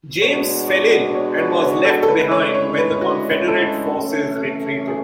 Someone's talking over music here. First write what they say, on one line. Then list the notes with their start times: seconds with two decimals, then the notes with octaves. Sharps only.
James fell ill and was left behind when the Confederate forces retreated.
0.21 B2 G#3 D4 F#4 C#5
0.68 D5
1.15 C#5
1.38 B4
1.61 C#5
1.85 A4
2.03 A4
2.08 D2 D3 G#3 C#4 E4 B4
2.21 B4
2.31 C#5
2.55 C#5
2.77 B4
3.01 F#4
3.48 A4
3.94 F#2 E3 A3 C#4
4.88 G#4